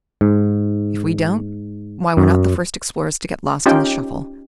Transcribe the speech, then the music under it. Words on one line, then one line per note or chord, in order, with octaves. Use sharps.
If we don't, why, we're not the first explorers to get lost in the shuffle.
G#2
F#2
C#4 D#4 F4 G4 G5